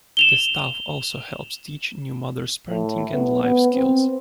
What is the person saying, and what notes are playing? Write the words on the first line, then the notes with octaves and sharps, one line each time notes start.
The staff also helps teach new mothers parenting and life skills.
E7 F7 G7
A2
B3
B3
C4